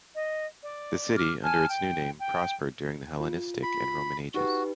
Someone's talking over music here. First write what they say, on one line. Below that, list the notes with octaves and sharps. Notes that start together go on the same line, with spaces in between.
The city, under its new name, prospered during the Hellenistic and Roman Ages.
D#5
D5
D6 F6
G#5 A5 F6
G5
G5
F4
B5
D#4 F#4 G4 B4